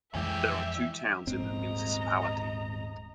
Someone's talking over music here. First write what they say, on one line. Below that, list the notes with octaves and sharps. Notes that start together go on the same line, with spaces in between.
There are two towns in the municipality.
F2 E3 G#3 C#4 G4 E5
D#1 G#2 C4 D#5 A#5